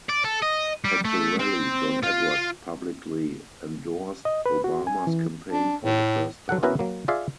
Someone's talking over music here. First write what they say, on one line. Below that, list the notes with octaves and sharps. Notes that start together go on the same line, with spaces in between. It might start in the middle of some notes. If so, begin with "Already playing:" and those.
At the rally, John Edwards publicly endorsed Obama's campaign for the first time.
D5
A4
D#5
G3
A3
C4
F4
D#5
B4
F#4
G#5
E3
D4
A2
F#3 A4 F#5
B3 C#4 E4 F#4 A#4 B4
F#3 A#3
F4 G#4 D5 E5 F5